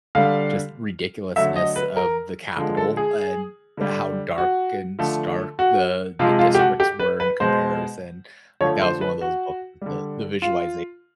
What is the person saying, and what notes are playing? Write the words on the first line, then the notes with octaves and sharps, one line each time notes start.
just ridiculousness of the Capitol and how dark and stark the the districts were in comparison, like, that was one of those books that the visualization,
D3 G3 F5
D3 F#3 A3 E5
D#5
B4
A#4
D3 F3 G#3
A4
G#4
D3 G3
F#4
D3 F3 A3
F#4
C3 F3 G#3 F4
F4
G4
F#4
G4
B4
B4
B2 G#3 C5
D3 F3 A3 C#5
C5
B4
F#4
D3 G3
F4